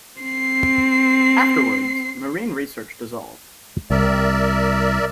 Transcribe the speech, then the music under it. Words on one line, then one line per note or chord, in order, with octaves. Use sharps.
Afterwards, Marine Research dissolved.
C4 C7
C2 A#4 D5 E5